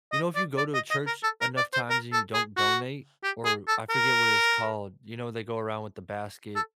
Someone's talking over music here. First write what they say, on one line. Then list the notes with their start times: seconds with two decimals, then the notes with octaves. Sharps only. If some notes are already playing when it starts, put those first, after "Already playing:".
you know, if you go to a church enough times and you don't donate, or I forget what it's called, you know, they go around with the basket
0.12 D#5
0.35 D5
0.57 D5
0.74 D#5
0.91 D#5
1.07 A#4
1.23 A4
1.41 A#4
1.57 D5
1.73 C5
1.90 A#4
2.13 A4
2.34 G#4
2.57 F#4
3.24 G4
3.45 G#4
3.68 A4
3.90 A#4
6.56 A4